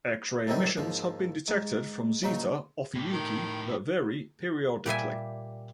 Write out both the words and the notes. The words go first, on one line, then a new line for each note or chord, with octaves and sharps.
X-ray emissions have been detected from Zeta Ophiuchi that vary periodically.
A2 C3 D#3 F#3 G3
D#2 G#2 F3
G#2
A#1 C#3 F#3 D#4 C#5
A2 G4
D#3
A#2 G3 E5 G#5